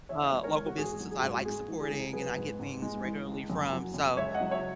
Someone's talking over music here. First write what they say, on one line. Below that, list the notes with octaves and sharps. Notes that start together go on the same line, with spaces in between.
uh, local businesses I like supporting and I get things regularly from, so
E2 C#5 E5
G#3
A#4 C#5
E2
F#4
G#2 G#4
F#3
G#4
F#4
G#2
F#4
G#3 G#4
E3
G#4
C#2
F#3 G#4 B4
G#2
G#2
G#3
E3
C#2
F#2
F#3
F#2
C#2 C#5 E5
D#5 F#5
F#3
C#5 E5